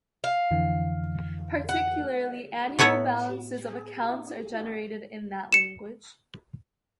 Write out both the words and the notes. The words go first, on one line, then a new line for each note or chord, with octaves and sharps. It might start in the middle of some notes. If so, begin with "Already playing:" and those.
Particularly annual balances of accounts are generated in that language.
F5
F2 D3 E3
F#5
A2 B3 C#5 E5 F#5
C#7 E7